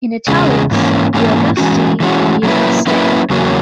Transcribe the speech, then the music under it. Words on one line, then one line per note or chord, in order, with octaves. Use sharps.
In "italics" the Augusti and the Augustae.
E2 C#3 G#3
G#2 E3 A#3 C#4
G#2 E3 A#3 C#4
E3 G#3 C#4 F#4
E3 G#3 C#4 F#4
F#3 A#3 C#4 E4 B4
F#3 A#3 C#4 E4 B4
E2 C#3 F#3 A#3 C#4